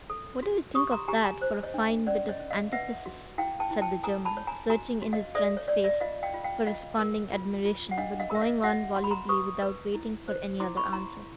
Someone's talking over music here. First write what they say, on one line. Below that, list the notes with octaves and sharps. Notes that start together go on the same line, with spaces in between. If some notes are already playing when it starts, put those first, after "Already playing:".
"What do you think of that for a fine bit of antithesis?" said the German, searching in his friend's face for responding admiration, but going on volubly without waiting for any other answer.
A4
F#4
G4 C#6 D#6
A#5 C6
G4 G#5 A#5
G#5 A#5
C5
C#5 D#5
D4
C#4 D5
C#5 D#5
C#4
D#5 F5
B4 E5 F#5
F#4
E4 F5 G5
G5 A5
E4
G5 A5
A4 G#5 A#5
A5 B5
C#5
G#5 A#5
F#4 G#5 A#5
F#4
D#5 F5
A4 D5 E5
C#5
C#5 D5
D5 E5
F4 D#5 F5
F5 G5
F4
F5 G5
F4 D#5 F5
A#4
F4
F4
F#5
D4 D#5 F5
D#5 F5
A#4 E5
D#5 F5
F#4 E5 F#5
F#4 C6
B5
A#5 C6
B4 C#6 D#6
B4
E4
C5
E4 C6 D6
B5 C#6
E4 A#5 C6